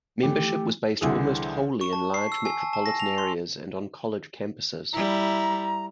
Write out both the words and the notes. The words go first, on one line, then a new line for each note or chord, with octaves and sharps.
Membership was based almost wholly in large metropolitan areas and on college campuses.
E3 A3 G4
C2 D3 E3 G#4
C#6
A5
C7
E6
G#5
A5
A5
A#6
F7
C6
G3 E4 A#5